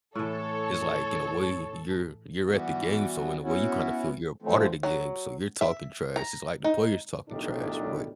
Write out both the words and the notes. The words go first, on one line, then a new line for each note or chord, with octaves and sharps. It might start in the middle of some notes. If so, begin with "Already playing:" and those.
it's, like, in a way you're you're at the game, so in a way you kind of feel you're a part of the game, so you're talking trash. It's, like, the players talking trash, but,
A2 E3 A4 C#5
E3 G3 B3 F#4
B3 C#4 E4 F#4
D3 E3 F3 A3 C4
F#3
E5
A#5
D#4
B1 A2 D#3 G3 D4